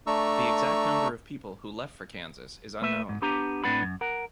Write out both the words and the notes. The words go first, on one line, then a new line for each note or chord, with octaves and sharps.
The exact number of people who left for Kansas is unknown.
A3 D4 A#5 C#6 E6
A3 B4 E5
G#2
B3 D4 G4 A#5
A2 C4 D4 B4 F#5 B5
F#2
A#4 F#5